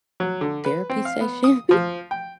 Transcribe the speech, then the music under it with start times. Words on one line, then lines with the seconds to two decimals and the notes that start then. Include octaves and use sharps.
therapy session,
0.20 F#3
0.41 D3
0.65 B4
0.90 C4
1.05 F5
1.21 B3
1.44 D#6
1.71 F3
2.11 G5